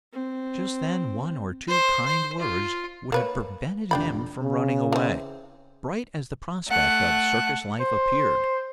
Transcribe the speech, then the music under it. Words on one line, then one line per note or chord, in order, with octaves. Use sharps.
Just then one or two kind words would have prevented him from running away, bright as the prospect of circus life appeared.
C4
C5
C5
F4
A#3 B4 C#5
F1 D4 G5 B5
C#3
E3 C4
A3 F#5
C5